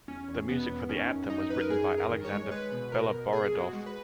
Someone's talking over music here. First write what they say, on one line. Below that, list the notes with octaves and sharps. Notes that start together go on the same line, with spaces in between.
The music for the anthem was written by Alexander Beloborodov.
E2 C#4
E2
B2 B3
E2
D#3 C#4
F#2
F#2 D#4
F#2 B4
A#4
F#2 G#4
F#2
A#4
D#3
C#5
G#3
G#3 B4
B2
B2 A#4
B2
B2 G#4
B2
F#4
G#3
B4